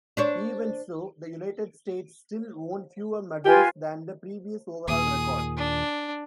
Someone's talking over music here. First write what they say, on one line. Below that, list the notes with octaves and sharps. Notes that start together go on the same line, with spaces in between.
Even so, the United States still won fewer medals than the previous overall record.
D4 C5 C#5
F4 G4 B4 G#5
D#2 A#2 G#4 D#6
D4